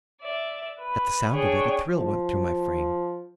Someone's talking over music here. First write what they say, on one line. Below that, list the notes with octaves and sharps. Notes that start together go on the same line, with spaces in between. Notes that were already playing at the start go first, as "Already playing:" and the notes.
At the sound of it, a thrill went through my frame.
D5 E5
B4
D4 G#4 C#5 G5 C#6
F3